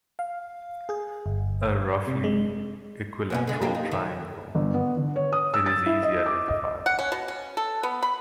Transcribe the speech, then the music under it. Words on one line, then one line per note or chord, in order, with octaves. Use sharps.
A roughly equilateral triangle, it is easily identifiable.
F5
G#4
G1
C3
G#3
B2 B3 C#4
D3 G#3
A#3 D4 G4
D#4
D#3
G1
B3
D3
C#5
D#6
E6
A6
E4
D#5
D6
D#5
F#5
C#4
B2
C#4
A4
B3
B5